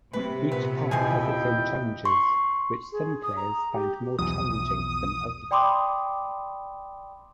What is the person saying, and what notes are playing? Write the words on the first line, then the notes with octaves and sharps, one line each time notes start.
Each path has its own challenges, which some players find more challenging than others.
C3 B4
A#2 B3 B4
D#1 B2 E4 G#4 D#5 G5 G#5
C6 C#6
G#4
D#6
A#5
G4
B1 E2 F3 D#6
D5 G5 B5 C6 D6 D#6